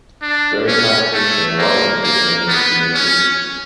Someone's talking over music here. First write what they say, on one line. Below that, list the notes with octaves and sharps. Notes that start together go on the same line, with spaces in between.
During lactation, water intake may need to be increased.
D4
C#4
A3
A#3
A#3
B3
C#4